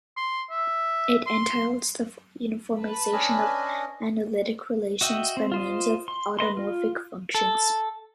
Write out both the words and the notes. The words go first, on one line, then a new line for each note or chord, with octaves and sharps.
It entails the uniformization of analytic relations by means of automorphic functions.
C6
E5
C6
B4 A5 B5
C#4 D4 D#5 G#5
F#4 D#5 E5 G5
C4
F4 C5 D#5
C6
B4 D#5 C6
F4
A4